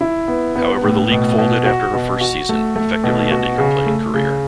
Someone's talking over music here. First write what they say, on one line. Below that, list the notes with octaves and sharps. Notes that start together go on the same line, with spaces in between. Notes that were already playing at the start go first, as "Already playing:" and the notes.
However, the league folded after her first season, effectively ending her playing career.
E4
B3
B3
A2
B2
B2
F#4
B2
F#4
A3
A3
B2
F#4
C#3
A3
C#3